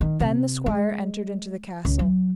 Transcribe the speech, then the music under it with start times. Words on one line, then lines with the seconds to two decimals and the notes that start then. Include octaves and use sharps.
Then the squire entered into the castle.
0.01 D#3
0.20 C3
0.66 G#3
1.85 C#2
1.99 F#3